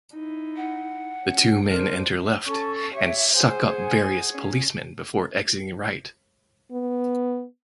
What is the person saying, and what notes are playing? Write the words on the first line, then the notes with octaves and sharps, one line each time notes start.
The two men enter left and suck up various policemen before exiting right.
D#4 E4
F#5
C#4
D4 A#4 C5
C#4 A4 C#6
G4 C#5 E5
G#4 C5 F#5 G#5
C#4
B3